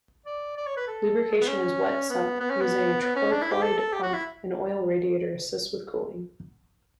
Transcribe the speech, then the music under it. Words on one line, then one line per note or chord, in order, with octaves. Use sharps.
Lubrication is wet sump using a trochoid pump; an oil radiator assists with cooling.
D5
D5
C#5
B4
A4
A3
B3
C#4
B3
B3
C#4
B3
B3
C#4
D4
E4
G4
A4
A4
G4
F#4
E4